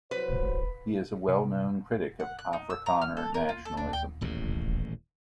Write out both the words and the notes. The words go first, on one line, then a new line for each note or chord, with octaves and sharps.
He is a well-known critic of Afrikaner nationalism.
C2 F#3 B4 C5
C3
F#5
F#6
D#4
E6
A#5
F6
A4
A#4
F4
A4
D4
G5
D#1 A1 E2 A2